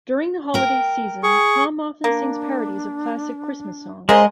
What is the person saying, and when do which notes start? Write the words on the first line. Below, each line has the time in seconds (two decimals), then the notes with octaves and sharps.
During the holiday season, Tom often sings parodies of classic Christmas songs.
0.54 A#4 G5
1.23 G#4 C#6
2.04 A#3 D4
4.09 C#3 G#3 G#4 A#4 C5 D#5